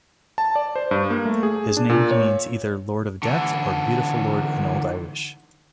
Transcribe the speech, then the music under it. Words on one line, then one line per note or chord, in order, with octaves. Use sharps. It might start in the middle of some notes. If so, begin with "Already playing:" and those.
His name means either "Lord of Death" or "Beautiful Lord" in Old Irish.
A5
D5
C5
G2
A#3
A3
G#4
D4
A#2
C#5
D3 E3